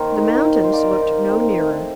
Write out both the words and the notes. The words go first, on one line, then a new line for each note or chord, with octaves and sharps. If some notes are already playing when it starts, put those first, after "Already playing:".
The mountains looked no nearer.
Already playing: D#3 A#3 A#4 C5
D#4
D#3
A#4
C5
A#3 D5
D#5
D#4
C4
A3